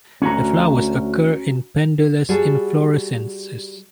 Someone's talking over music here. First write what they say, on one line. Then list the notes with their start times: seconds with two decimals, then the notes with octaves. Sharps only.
The flowers occur in pendulous inflorescences.
0.22 D2 C#4 F#4 A#5
2.29 G3 F#4 G#4 A4